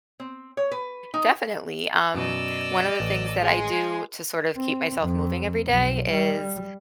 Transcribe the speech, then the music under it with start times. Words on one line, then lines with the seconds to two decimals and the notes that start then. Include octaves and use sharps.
Definitely, um, one of the things that I do to sort of keep myself moving every day is
0.20 C4
0.57 C#5
0.71 B4
1.14 D#4
2.15 F#2 B2 D5 D#5 E6
3.00 A1
3.39 G#3 G#4 C6
4.57 C4
5.00 F2
5.67 B1
6.11 G3